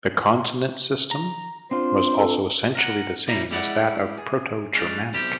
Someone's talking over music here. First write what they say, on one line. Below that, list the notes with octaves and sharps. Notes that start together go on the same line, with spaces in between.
The consonant system was also essentially the same as that of Proto-Germanic.
A#5
C4 D4 F4 C5
A4
A#4 F#5
A#2 G3 A#3 E4 A#5
G3 G#3 E4 D5 F5 F#5
G#4
G3 G#3 C#4 D4 D5 F5
B1 C3 G3 G4 C5